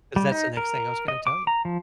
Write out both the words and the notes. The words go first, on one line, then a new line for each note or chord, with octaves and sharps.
'cause that's the next thing I was gonna tell ya.
G3
D#4
A#4
D#5
D6
A#5
F3